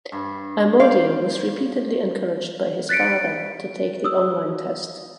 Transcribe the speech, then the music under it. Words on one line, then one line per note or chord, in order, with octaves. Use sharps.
Amodio was repeatedly encouraged by his father to take the online test.
G2
C5 D5 F5
F#6 A6 B6 C#7 D7
D#6 E6